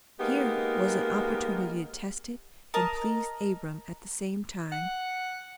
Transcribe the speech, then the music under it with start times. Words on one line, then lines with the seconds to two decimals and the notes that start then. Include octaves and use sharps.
Here was an opportunity to test it and please Abram at the same time.
0.20 G#3 A#3 B3 D#4 G4
2.74 A#4 D#5 A5
4.72 F#5